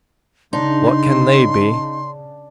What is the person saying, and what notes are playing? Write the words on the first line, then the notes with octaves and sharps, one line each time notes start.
What kin they be?
C#3 D4 D#4 C6